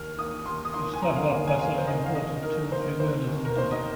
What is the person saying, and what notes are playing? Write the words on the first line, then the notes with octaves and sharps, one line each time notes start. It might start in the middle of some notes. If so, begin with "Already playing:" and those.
It started off by selling imported two- and three-wheelers in India.
Already playing: D#2 F6
D#3 A#3 D#6
D#2 C6
D#6
D#3 A#3 C6
G#5
D#2 A#5
F5
D#3 A#3 F5
G#5
D#2 F5
C5
D#3 A#3 D#5
F5
D#2 D#5
D#3 A#3 D#4 A#4
D#2 C5
D#3 A#3 D#4 C5
D#2
A#4
D#3 A#3 D#4 C5
D#5